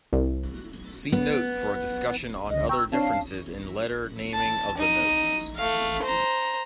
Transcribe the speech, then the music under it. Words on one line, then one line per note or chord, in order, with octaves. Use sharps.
See note for a discussion on other differences in letter naming of the notes.
C2
B3
C#2 D3 D#5
G5 A#5 C#6 E6
C4 D4 C#5 F5 A5
A5
D#4 D#7
A3 F5
C5 A#5